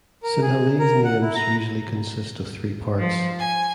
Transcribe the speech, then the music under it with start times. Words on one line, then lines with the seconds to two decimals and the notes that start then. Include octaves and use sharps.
Sinhalese names usually consists of three parts.
0.23 A#4
0.42 G#4
0.79 A#4
1.04 F#5
1.22 E4
1.35 A#5
2.99 F3
3.38 G#5